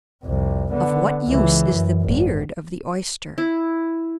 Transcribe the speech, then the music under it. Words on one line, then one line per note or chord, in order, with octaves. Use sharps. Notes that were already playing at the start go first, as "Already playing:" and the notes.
Of what use is the "beard" of the Oyster?
C2 F2
D3 B3
C#2 E3
F#2
G#1
E4